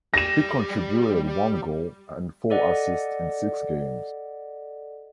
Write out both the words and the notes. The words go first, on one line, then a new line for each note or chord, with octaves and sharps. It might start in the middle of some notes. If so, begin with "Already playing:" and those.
He contributed one goal and four assists in six games.
G3 G4 A#6 E7
A4 D5 D#5 F#5